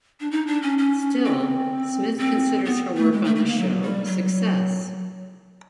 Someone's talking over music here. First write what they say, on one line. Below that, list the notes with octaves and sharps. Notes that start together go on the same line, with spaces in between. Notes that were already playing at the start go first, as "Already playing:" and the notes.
Still, Smith considers her work on the show a success.
D4
D#4
D4
C#4
C#4
C4
C4
B3
A3
G#3
A3
A3
A#3
F#3
G3
F#3